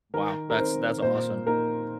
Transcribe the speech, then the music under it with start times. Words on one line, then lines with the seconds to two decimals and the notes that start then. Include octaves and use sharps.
Wow. That's that's awesome.
0.14 D#3 A#4
0.50 A#4
0.58 C4 D#4 C5
1.02 A#2 C5
1.46 A#3 D#4 A#4